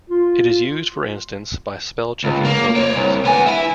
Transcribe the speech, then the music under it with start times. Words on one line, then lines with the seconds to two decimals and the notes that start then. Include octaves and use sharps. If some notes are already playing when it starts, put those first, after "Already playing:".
It is used, for instance, by spell-checking programs.
0.10 F4
2.24 C#2
2.45 A#3
2.76 C#5 D5
2.96 C2
3.25 B3 G#5
3.47 E4 E5